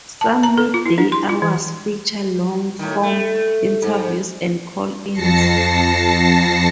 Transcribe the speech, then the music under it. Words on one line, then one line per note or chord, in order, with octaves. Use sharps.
Some midday hours feature longer-form interviews and call-ins.
A5
A#5
A4
F4
E4
D4
C6
F4
E3
A2 D#3
A3
G#2
F2 A5 A#6 C7 C#7